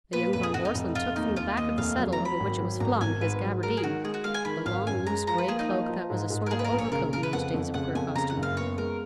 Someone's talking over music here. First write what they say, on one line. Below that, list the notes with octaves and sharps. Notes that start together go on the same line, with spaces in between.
The young von Borselen took from the back of the settle, over which it was flung, his gabardine--the long, loose gray cloak that was a sort of overcoat in those days of queer costume.
A#2 B4
F1 B4
G#4
F1 F#4
D#4
F1
F1 F4
D#2 D#4
D#2 F4
D#2 D#5
F1 F5
F#3
A#5
F#3
B5
G#1
F#3
G#1 A#5
G#1 G#5
G#2 B4
F#3
G#3 A#4
G#4
D#3 F#4
G#3 G#4
F#4
G#3 F5
G#5
D#3 B5
G#1 F5
F#2 G#5
G#3 A#5
F3 A#5
B4
A#3 G#4
D#4
F3
F3
G#2
G#2
A#4
A#3 G#4
B4
A#4
A#1
C#5
C#3 A#4
C#3 A#4
B4
F2 F#5
F2
C#3 F#5
F2 G#5
C#3 A#5
F#5
F#1
F5
B3 C#5
G#3 A#4